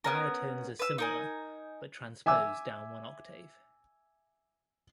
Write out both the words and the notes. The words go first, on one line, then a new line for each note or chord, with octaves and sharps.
Baritones are similar, but transpose down one octave.
B3 C#4 A#4
B4 E6
D#4 A#4 G#5
E5 G#5 D6 E6